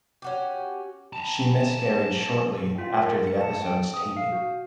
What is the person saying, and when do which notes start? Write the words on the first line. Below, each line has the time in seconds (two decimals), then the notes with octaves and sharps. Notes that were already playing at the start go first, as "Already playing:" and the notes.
She miscarried shortly after the episode's taping.
0.22 C#4 F#4 G4
1.13 A5 A#5
2.78 F4
3.01 A#4
3.27 C#7
3.41 A5
3.62 G5
3.94 D#6
4.17 F5
4.32 F#4